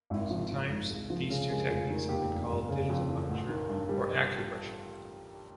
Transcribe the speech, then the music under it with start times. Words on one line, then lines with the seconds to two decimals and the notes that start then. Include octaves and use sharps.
Sometimes, these two techniques have been called digitopuncture or acupressure.
0.10 G#1 E4
0.30 F3
0.50 G#2
0.70 G#1
0.90 C#2
1.10 F3
1.30 C#3
1.50 G#3
1.69 F1 F4
1.90 D#3
2.09 D#2 G4
2.30 F1
2.50 G1
2.69 C#3
2.90 F2
3.09 E3
3.29 A1
3.48 D#3
3.69 G2
3.89 G3